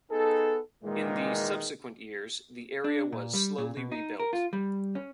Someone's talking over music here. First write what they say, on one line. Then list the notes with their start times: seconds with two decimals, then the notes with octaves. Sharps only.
In the subsequent years, the area was slowly rebuilt.
0.11 B3 D#4 G#4 A4
0.84 A#2 D#3 E3 G#3
2.84 D4
3.12 A#2
3.34 G3
3.58 A#2
3.77 B2
3.92 D#4
4.20 A#4
4.33 F4
4.53 G3
4.95 C#4